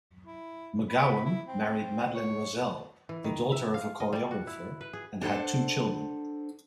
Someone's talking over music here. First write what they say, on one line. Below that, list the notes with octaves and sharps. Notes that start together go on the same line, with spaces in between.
McGowan married Madeline Rosselle, the daughter of a choreographer, and had two children.
E4
B5
E4
C4
C#5
E3
D#3
E5
F5
D#5
G3
F#4
E4
B4
G#4
D4 A4 C5 F#5